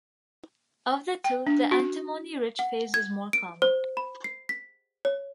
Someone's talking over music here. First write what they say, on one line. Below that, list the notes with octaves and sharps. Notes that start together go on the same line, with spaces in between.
Of the two, the antimony rich phase is more common.
G5
D4
F#4
F#5
G#6
D7
C5
B5
C7
B6
C#5